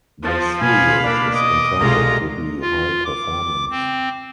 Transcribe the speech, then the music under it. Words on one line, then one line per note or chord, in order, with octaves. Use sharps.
The series is intended to be high performance.
F3 A5
B2 B3 F5 G#5 B5 D#7
A#3 B3 D4 D5
D#5 D6
C2 B2 G#3 A3 F4 A#5
F4
D6
C4